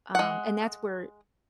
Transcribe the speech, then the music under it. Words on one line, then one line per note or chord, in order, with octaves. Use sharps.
Um, and that's where
G#3 F#5